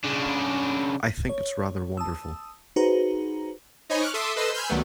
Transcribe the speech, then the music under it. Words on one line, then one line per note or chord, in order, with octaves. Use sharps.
I think it's rather wonderful.
C#3 D4
C#5
A5 D#6 E6
D#4 F#4 G#4 B4 C5 A#5
D#4 C5 C#5 D#5 G#5 B5
C#6 D6 F6 F#6
A4 E5 C6 D6 D#6
A4 B4 C5 D#5 C6 E6
G#5 B5 C6 E6 F6 G6
C#2 D#3 F#3 G3 A3 B3